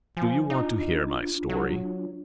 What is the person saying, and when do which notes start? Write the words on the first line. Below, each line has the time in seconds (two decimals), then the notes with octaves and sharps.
"Do you want to hear my story?"
0.17 F3 G#5
0.50 D4 D#4 F4
1.49 F#3